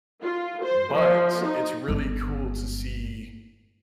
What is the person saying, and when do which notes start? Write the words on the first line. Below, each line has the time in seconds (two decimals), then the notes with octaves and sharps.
but, it's really cool to see
0.23 F4
0.63 C5
0.94 F3
1.44 D#4
1.88 G1 G#3